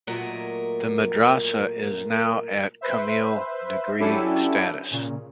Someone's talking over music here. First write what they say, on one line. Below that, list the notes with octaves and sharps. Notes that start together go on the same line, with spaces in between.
The madrasa is now at Kamil degree status.
A#2 F#3 A3 A#4 D#5
B4 C5 E5
F#3 C#4 D4 E4 G4 A4
A#2 C#3